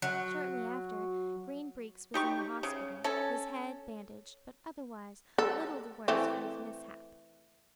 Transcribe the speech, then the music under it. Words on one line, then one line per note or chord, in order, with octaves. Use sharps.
Shortly after Green Breeks was in the hospital, his head bandaged, but otherwise little the worse for his mishap.
F#3
D#4 G4 C#6
C#3
C#4 A4
A4
E3 A3 C4